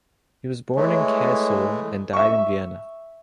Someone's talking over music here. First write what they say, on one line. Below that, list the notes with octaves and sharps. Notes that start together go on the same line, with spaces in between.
He was born in Kassel, and died in Vienna.
E3 G#3 A3 C#5
E5 C#6